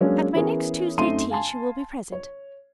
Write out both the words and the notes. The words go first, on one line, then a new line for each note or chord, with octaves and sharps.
At my next Tuesday tea she will be present.
F#3 G#3 A#3 C#4 D4
E3 B3 C#4 G#4 A#4 C#5
F#2 A3 C4 D#4 C6 D#7
F5 G#5 A5 C6
C#5